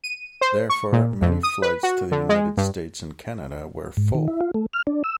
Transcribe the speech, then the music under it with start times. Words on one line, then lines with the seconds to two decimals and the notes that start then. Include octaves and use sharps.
Therefore, many flights to the United States and Canada were full.
0.04 D#7
0.41 C5
0.70 C#6
0.92 A#2
1.22 F2
1.43 D#6
1.62 B4
1.83 F#4
2.12 D3
2.29 G#3
2.57 G2
3.97 G#2
4.15 D#3
4.28 E4
4.41 F4
4.54 A3
4.73 F6
4.87 D4
5.04 E6